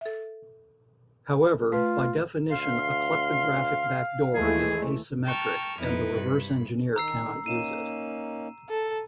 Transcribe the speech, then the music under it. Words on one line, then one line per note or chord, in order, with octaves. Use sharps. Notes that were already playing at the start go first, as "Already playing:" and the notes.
However, by definition a kleptographic backdoor is asymmetric and the reverse-engineer cannot use it.
A4 E5
A3 F4 B4
D2 F5 C6
D#2 E3 G#3 A3 G#4
G5 A5 A#5 C#6 E6 F6
F2 B3 D#4 E4 B4
G2 C3 B5
D#3 A#5 E6 C7
A#3 C#4 D#4 D#7 E7
A4